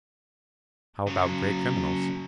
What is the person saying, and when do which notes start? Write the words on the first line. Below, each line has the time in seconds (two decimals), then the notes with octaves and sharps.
"How about great criminals?"
1.07 C#3 F#3